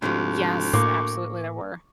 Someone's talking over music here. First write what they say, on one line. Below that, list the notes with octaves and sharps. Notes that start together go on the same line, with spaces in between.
Yes, absolutely there were,
D2 G#2 C3 F3
A2 A#3 C#6 D6